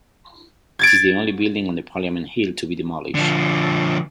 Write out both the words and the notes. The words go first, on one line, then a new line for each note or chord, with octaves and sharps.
It is the only building on Parliament Hill to be demolished.
G#6 A6 D7
D3 F3